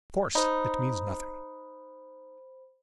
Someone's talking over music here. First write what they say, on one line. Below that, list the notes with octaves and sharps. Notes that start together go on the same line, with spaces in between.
'Of course, it means nothing.'
D#4 C5 B5